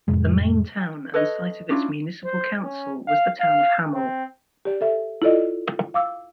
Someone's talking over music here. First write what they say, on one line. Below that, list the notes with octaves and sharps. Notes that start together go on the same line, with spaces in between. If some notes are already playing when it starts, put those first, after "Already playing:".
The main town and site of its municipal council was the town of Hammel.
F2 A2 C3 G#3
A4 B4 C#5 D#5
C#4 D4 E4 F4
C5
C#4
F5
F5
C4
G4 D5
A4 E5
E4 F4 A4 D5 D#5
F5 D6 E6